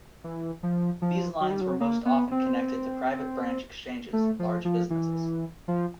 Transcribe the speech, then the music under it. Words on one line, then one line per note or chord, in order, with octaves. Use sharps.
These lines were most often connected to private branch exchanges in large businesses.
E3
F3
F3
F#3
G3
F#3
A#3
B3
C4
A3
F3
F3
E3
F3